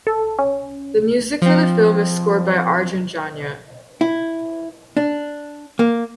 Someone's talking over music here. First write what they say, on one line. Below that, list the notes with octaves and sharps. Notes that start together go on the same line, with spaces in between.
The music for the film is scored by Arjun Janya.
A4
C#4
F3 C4
E4
D4
A#3